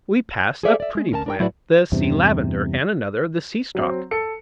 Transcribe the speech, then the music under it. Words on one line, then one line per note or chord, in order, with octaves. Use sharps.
We pass a pretty plant, the Sea Lavender, and another, the Sea Stock.
G#4 A4 C5 D5 E5 F5
D5 E5
G#3
D2 C#4 A#4 G5 A5
D4 A#4 G5
A2 F#3 E4 F#4 B4 D5
E2 G2 C3
F#3 C4
A4 C#7